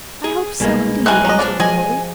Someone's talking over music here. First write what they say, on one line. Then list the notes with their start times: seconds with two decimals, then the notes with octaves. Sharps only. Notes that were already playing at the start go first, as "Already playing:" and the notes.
'I hope so, indeed,' answered the boy.
0.24 G#4
0.60 C2 B2 G#3 A#3
1.06 D#3 E3 C4 G#5 F#6
1.25 F#3 D#5
1.39 F3 D4 D5
1.60 F3 G#4 D#5 G#5